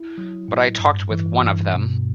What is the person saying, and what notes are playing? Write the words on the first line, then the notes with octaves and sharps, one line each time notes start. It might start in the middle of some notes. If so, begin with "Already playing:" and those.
But I talked with one of them.
Already playing: E4
F#3
A2
G2
E3
G2
B2